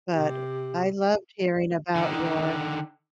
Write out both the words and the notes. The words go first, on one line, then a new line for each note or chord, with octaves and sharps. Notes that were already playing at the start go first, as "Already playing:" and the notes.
But I loved hearing about your,
C3 G4
D3 D#3